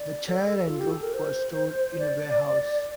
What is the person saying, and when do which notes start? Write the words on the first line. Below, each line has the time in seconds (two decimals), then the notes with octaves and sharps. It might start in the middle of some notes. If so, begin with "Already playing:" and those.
The chair and rope were stored in a ware- house.
Already playing: D5
0.29 A4
0.67 F4
0.80 G4
0.91 A4
1.02 A#4
1.14 C5
1.99 D5